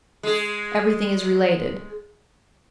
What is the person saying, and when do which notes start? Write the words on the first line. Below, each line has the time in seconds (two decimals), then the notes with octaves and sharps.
Everything is related.
0.23 G#3 G#4